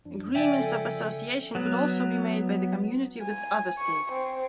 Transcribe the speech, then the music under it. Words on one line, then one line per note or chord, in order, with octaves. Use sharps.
Agreements of Association could also be made by the Community with other states.
F#2 F3 D4
C#3 F3 D5 E5 G5 G#5
A4
F#3 B3
G#5
C#6
C4